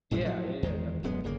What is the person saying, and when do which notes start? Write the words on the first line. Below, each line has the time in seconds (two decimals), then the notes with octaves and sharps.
Yeah, yeah, yeah, definitely.
0.11 A#1 F#2 G3 G#3
0.24 A2 F3 F#3
0.63 E2 D#3 G#3
1.03 D1 F#2 G#3 B3
1.24 G1 C#3 A#3